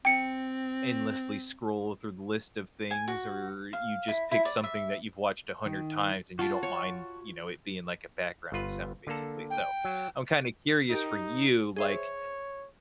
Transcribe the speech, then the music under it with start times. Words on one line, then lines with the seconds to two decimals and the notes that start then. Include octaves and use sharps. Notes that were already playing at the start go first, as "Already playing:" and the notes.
endlessly scroll through the list of things or you just pick something that you've watched a hundred times and you don't mind, you know, it being like a background sound basically. So, I'm kinda curious for you, like,
0.05 C4 G5 C#7
2.91 G#5
3.08 F#4
3.73 F5
4.08 E4
4.31 E4
4.45 D5
4.63 E5
5.66 D#3
6.39 F4 F#4 A5
6.63 C#5
8.52 G1 F4 B4
9.07 D3 A#3 A4
9.50 G5
9.84 F#3
10.90 D#4 G4 A#4
11.76 G#4 C5 C#5 E5